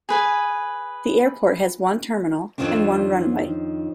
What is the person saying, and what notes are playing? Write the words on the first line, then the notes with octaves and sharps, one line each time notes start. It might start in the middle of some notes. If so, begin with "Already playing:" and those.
The airport has one terminal and one runway.
G#4 B4 G#5
F2 G#2 D#3 F3 C#4 D4